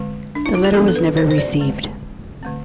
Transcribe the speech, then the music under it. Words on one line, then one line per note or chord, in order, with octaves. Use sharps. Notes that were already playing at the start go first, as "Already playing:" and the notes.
The letter was never received.
Already playing: D3 G#3 C4
D4
E4
F4
G#4
F3 B3 D4 A4
A4
B4
C5
C5
D5
D3 G#3 C4
D3 A3 C4